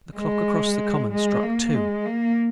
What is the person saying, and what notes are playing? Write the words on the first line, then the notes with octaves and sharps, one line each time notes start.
The clock across the common struck two.
G#3
G#3
A#3
G#3
A#3